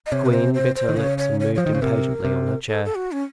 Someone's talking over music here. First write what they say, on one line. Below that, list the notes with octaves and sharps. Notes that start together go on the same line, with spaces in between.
The queen bit her lips and moved impatiently on her chair.
D#5
C3 C#5
A#4
C5
C5
C5
D#3
C#3 C#5
C#5
C#5
C#5
F3 C5
D#3
C#3
C3 A#4
C3
A4
A4
F#4
C#4